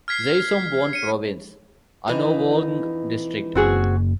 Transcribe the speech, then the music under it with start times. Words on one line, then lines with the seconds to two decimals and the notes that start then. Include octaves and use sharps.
Xaisomboun Province, Anouvong District.
0.08 F6 G#6 B6 C7
0.93 C#7 D#7
2.08 F2 E3 D#4
3.55 F#1 C4 F#4 G#4